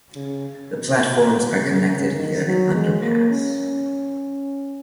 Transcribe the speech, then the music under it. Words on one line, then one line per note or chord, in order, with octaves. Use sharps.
The platforms are connected via an underpass.
C#3
B2
C#3
C#3
D#3
F#3
G#3
A#3
C#4